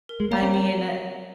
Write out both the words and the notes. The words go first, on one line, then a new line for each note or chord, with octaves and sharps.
I mean, uh,
A#4
G#3
A#3 C#5 F5 A#5
C4
C#5